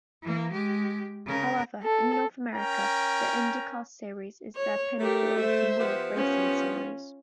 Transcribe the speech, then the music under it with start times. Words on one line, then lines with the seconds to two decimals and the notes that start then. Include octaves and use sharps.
However, in North America, the IndyCar series is their pinnacle open-wheeled racing series.
0.22 E3 A#3
0.52 G#3 G4
1.27 C#3 A#4
1.83 A4
2.55 C#4 A#4 G5 A#5
4.56 C#5
4.99 A3 G4 A#4
5.40 C5 E5
5.80 F3 B3 G4
6.16 C#4 F4